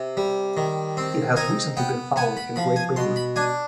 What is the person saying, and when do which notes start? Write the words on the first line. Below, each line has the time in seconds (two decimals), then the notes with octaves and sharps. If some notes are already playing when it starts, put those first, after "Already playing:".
It has recently been found in Great Britain.
Already playing: C3
0.17 G3
0.57 D#3
0.97 C4
1.36 D#4 G#5
1.77 B3 G5
2.16 B3 G#5
2.37 B5
2.56 F3 B5
2.76 G#5
2.96 B2 C6
3.16 B5
3.36 D4 G#5